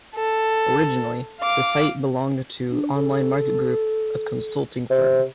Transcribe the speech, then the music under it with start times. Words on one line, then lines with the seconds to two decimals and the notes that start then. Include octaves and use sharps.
Originally, the site belonged to Online Market Group, a consulting firm.
0.15 A4
1.40 F5 D6
2.71 D4
2.95 A4
4.90 C3